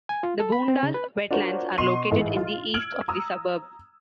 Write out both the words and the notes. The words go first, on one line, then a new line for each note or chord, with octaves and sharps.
The Boondall Wetlands are located in the east of the suburb.
G#5
F4
A4
B5
C4
C#3
B4
D4 F4 F#4 A#4 C5 C#5
B2 C6 C#6 C7 D#7
A1 G#2 G#3 A3 E4
F4
E6 F6 G#6 D7 F#7
A#5 D#6 E6